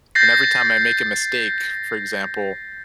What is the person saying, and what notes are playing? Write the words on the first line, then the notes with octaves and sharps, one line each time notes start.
and every time I make a mistake, for example,
G6 A6 A#6 C7